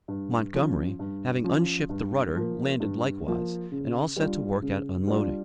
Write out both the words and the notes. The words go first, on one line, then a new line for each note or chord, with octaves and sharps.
Montgomery, having unshipped the rudder, landed likewise, and all set to work at unloading.
G2
F3 C#4
G2
F3 C#4
G2
F3 A#3
G2
F3 A#3
C#3
G3 D4 F4
C#3
G3 D4 F4